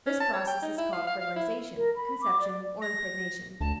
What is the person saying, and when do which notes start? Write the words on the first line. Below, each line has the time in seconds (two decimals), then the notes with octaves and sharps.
This process is called fertilization, conception or impregnation.
0.06 C#4
0.20 A5
0.33 C#5
0.47 G5
0.62 D#4
0.78 E4
0.92 F5
1.07 F5
1.21 F5
1.36 E4
1.76 A#4
1.95 B5
2.21 D6
2.39 D5
2.81 A#6
3.61 D2 A5